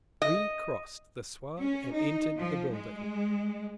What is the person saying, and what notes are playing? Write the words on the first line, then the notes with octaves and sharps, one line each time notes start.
We crossed the sward and entered the building.
D#5
C#4
D#4
F3
G#3